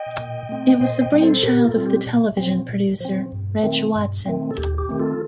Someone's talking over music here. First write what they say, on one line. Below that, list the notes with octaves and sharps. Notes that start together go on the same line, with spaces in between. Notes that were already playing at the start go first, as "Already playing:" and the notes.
It was the brainchild of the television producer, Reg Watson.
Already playing: D#5 G5
A#2
A3 C4
A#2 C5 D#5
D#5 G5
G3 C4
A4 C5
A#2 G4 A#4
F4 A4
G3 C4
G4
A#2
F3 C4
A#2
F3 C4
G2
D#3 A3 C4
G2
D#3 A3 C4
A4
D#2 G4
G4
D#3 A3 C4
F4 A4